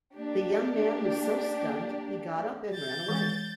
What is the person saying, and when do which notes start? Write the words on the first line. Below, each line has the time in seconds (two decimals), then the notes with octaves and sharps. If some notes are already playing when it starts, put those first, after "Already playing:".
The young man was so stunned he got up and ran away.
0.16 A#3 D4 G4
2.74 G6 A6
3.09 E3 G#3